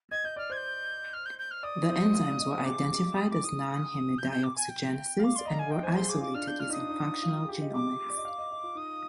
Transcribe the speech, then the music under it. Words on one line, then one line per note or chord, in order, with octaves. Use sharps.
The enzymes were identified as non-heme dioxygenases, and were isolated using functional genomics.
D#5 G#6
D#5 G6
D5 F6
C5 G#6
G6
F6
G6
G6
F6
D5 D#6
C5
D#5
F5
D5
D#5
C5
G4
G#4 D6
D#6
D6
D#6
G6
G6
D6
G#5
G5
F5 D6
D5 C6
D#5 A#5
G#5
D#5 G5
C5 G#5
G#4 C6
G#4 D6
F4 D6
D4 F6
D4 G6
F4 F6
D#4 D#6
D4
D#4
F4
F4
G#4
G4
D#5
D6
D5
D#5
F5
D#5
D#5
F4
D#4 D#6